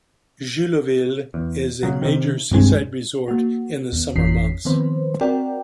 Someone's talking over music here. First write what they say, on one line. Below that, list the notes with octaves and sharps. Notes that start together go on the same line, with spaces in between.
Jullouville is a major seaside resort in the summer months.
E2
C#3 F#3
C3 D#3
D#1 C2 G2 G#3 C4
A#3 F#4
D#2 B3
G#1 F2 E3 C#4 B6 C7
D#3 F3 B3 C4 B4 C5
C4 F#4 A#4 D5 G5